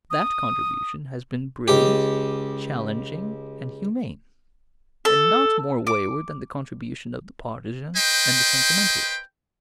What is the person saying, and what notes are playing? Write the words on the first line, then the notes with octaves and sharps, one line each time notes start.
That contribution has been brilliant, challenging, and humane, and not more wayward than the contribution of the partisan and the sentimentalist.
D#6
C#2 G4
A4
D6
B4 C5 D#5 G5